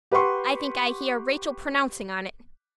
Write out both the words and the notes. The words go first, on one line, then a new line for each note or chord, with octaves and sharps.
I think I hear Rachel pronouncing on it.
G4 B4 F#5 C6 C#6